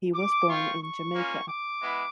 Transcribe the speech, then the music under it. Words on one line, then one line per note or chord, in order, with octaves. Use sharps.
He was born in Jamaica.
D6
C4 F4 C#6
C#6
A#3 C#4 F4
D6
G#3 B3 E4